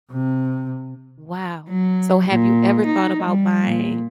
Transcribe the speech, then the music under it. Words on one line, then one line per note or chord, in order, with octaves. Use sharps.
Wow. So, have you ever thought about buying
C3
F#3
A#2
D#4
G3
A#2